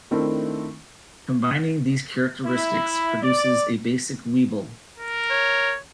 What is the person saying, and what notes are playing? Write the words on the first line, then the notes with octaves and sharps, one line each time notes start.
Combining these characteristics produces a basic Weeble.
D#3 A3 C4 D4 E4 A#4
E4
D5
A#4
C#5